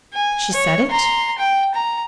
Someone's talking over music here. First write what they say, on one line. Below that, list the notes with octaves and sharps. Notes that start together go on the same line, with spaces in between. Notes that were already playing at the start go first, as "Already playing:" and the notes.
She said it?
G#5
C#5
A#5 C6
G5
A#5